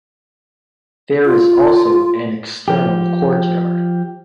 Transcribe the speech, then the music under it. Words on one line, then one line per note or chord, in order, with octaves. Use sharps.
There is also an external courtyard.
F4
F3 G4